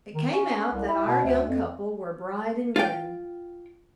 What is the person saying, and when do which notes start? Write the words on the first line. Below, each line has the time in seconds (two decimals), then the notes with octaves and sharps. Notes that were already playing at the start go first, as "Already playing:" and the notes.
It came out that our young couple were bride and groom.
0.14 D#3
0.33 C#4
0.73 C2
0.88 E4
1.06 B2
1.24 D2
1.48 F2
2.76 F4 G5